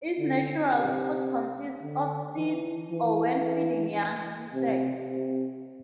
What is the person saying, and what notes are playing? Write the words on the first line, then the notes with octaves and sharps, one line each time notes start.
Its natural food consists of seeds, or when feeding young, insects.
D3
C3
D3
E3
E3
C3
C3